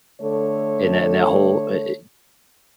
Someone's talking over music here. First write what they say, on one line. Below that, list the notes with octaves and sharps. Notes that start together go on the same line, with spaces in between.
in that that whole, eh eh
D3 A3 A4 C#5